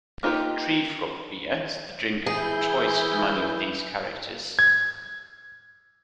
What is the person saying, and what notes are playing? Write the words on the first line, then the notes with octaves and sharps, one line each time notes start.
"Tree Frog Beer" is the drink of choice for many of these characters.
A#3 D#4 F4 G4 B4
E3 E4 G#4 G6
G#6